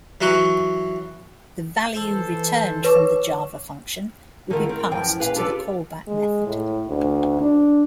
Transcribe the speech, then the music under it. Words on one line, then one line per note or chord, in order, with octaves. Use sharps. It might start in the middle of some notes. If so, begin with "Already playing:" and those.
The value returned from the java function will be passed to the callback method.
E3 F#3 F#4 D6
E3 A4 C5
B4 C#5 C#6 D6
D3 D#3 E4 F4 G#4 A#4
C4 A#4
F#2 E3 F3 G5
A#2 B4 F5 G#5
D4 F4 G4 A4 B4 D5
G#3
A2
D2
D4